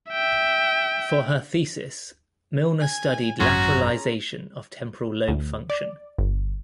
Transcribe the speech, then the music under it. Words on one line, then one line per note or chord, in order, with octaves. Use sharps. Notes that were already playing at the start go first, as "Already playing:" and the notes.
For her thesis, Milner studied lateralization of temporal lobe function.
E5 G5
G#5
G#1 F#2 F#3 C#4 F4 F#4 G#4 A#5
D2
D5
G1